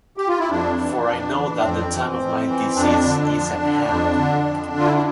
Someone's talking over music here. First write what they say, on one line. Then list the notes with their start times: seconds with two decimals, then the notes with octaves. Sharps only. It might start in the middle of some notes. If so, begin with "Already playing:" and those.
For I know that the time of my decease is at hand.
0.17 G4
0.28 F4
0.39 E4
0.50 F2 D4
0.79 E3
1.06 F2
1.35 E3
1.63 F2 C4
1.92 E3
2.19 F2
2.48 E3
2.76 F2 D4
3.05 D3
3.33 F2
3.61 D3
3.89 F2
4.17 D3
4.46 F2
4.74 D3 F4
4.86 E4
4.94 D4